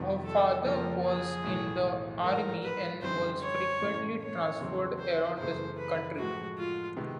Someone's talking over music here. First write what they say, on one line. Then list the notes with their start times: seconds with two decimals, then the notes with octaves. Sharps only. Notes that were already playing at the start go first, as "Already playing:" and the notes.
Her father was in the Army and was frequently transferred around the country.
Already playing: F2 C3 D#3 G3 B3
0.25 A4
0.65 F2 C#3 F3 A#3 A#4
1.04 G#4
1.44 B1 A2 E3
2.23 G#2 E3 G#3 A#4
2.63 B4
3.02 F#2 D3 G3 C4 D#4 C5
3.41 C#5
3.81 A2 E3 A3 C#4 E4
4.21 C#5
4.59 E2 C#3 F#3 A3 C4
4.99 C5
5.38 F#2 C#3 E3 A3 C5
5.78 B4
6.18 A2 F3 G#3 F#4
6.58 F4
6.97 C3 D#3 G#3 B3